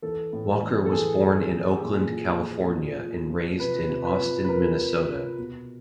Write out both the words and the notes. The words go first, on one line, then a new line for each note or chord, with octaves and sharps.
Walker was born in Oakland, California and raised in Austin, Minnesota.
E3 A4
A2
E3
A4
E3 G#4
E3
E3
G4
A#2 G#4
F3
F3
F3
F3
F3
C3 B4
C3
B4
F3
B4
F3 A#4
F3
C3
B2